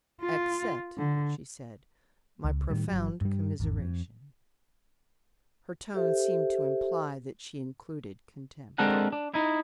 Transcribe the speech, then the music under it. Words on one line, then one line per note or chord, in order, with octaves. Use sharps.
"Accept," she said, "my profound commiseration." Her tone seemed to imply that she included contempt.
F4
D3
C#2
A2 D#3 G3
G1 F#3
G2 G3
G#1 E2
F2
G4 A4 C5 E5
G#3 C4 D4 A4 A#4 F#5
D4
D#4 E4